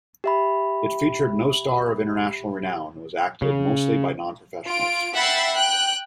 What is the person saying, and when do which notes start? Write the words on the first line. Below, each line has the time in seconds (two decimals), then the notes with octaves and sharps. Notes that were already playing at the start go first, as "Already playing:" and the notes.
It featured no star of international renown and was acted mostly by non-professionals.
0.24 G4 E5 B5
3.42 C#3
4.66 F4 D7
5.13 E5 F#5 G5 B5 A6 C7
5.54 G5 F#6